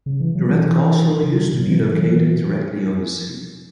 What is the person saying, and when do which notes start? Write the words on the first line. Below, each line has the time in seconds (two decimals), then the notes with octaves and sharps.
The Red Castle used to be located directly on the sea.
0.06 C#3
0.20 E3
0.35 F#3
0.50 E3
0.65 E3
1.23 C#3
1.38 D#3
1.53 B2
1.62 F#3
1.68 E3
1.82 E3
1.97 F#3
2.11 E3